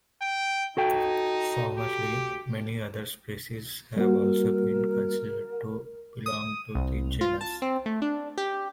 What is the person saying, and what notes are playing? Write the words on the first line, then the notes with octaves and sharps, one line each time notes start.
Formerly, many other species have also been considered to belong to the genus.
G5
D#4 F#4 A4 G5
G4
G3 A#3 F#4 A#4
D#6
C2
F4
A5
C4
A3
D4
G4